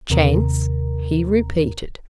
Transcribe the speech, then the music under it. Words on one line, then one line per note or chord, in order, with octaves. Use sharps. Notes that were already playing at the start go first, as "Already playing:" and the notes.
"Chance?" he repeated.
D#2 C3 A#4 A#5